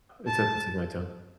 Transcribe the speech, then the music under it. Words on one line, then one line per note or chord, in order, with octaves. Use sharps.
it's at the tip of my tongue.
A5